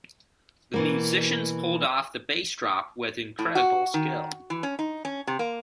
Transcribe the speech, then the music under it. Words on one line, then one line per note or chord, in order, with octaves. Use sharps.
The musicians pulled off the bass drop with incredible skill.
B2 E3 A#3
A2
F#4
D#3
E3
C#4
D#4
C#4
C3
A#3